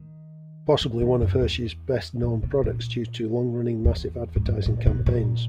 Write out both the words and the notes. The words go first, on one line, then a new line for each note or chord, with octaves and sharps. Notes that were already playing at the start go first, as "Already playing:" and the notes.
Possibly one of Hershey's best-known products due to long-running massive advertising campaigns.
Already playing: D#3
E3
D#3
F#2
E2
A#2
B2
A#2
E2
G#2
F#2
A#2
B2
A#2